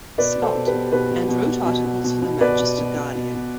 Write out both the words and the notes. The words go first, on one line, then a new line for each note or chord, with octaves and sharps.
Scott, and wrote articles for the Manchester Guardian.
B2 B4 D5
B2
A4 C5
B2
G4 B4
B2
B2 G4 B4
B2
B2
B2
B2
B2
B2
B2
B2 B4 D5
B2
B2
B2
B2
B2